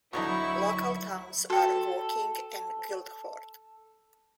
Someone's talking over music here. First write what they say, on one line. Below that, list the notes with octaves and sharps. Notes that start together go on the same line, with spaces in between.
Local towns are Woking and Guildford.
D2 B2 D3 F#3 D#4 E4 C#6
F#4 A4 G5